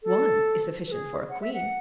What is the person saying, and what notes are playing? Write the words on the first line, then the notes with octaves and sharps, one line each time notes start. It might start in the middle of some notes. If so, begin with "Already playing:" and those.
One is sufficient for a queen.
A4
B4
G#4
F#5
E5
F#5